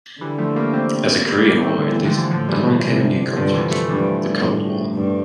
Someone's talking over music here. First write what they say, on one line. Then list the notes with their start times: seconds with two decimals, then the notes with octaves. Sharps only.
As the Korean War ended, along came a new conflict - the Cold War.
0.21 D3 E3 G3
0.38 F3 A3
0.56 G3 A#3
0.73 A3 C4
1.26 A2 G3 A#3
1.44 G3 A#3
1.61 A3 C4
1.79 D3
1.92 E3
2.05 D3 F3
2.18 E3
2.31 A2 D3 F3
2.48 E3 G3
2.66 E3
2.84 C3
3.36 G2 D3 F3
3.54 E3 G3
3.71 F3 A3
3.89 G2 E3 G3
4.41 A2
4.94 G2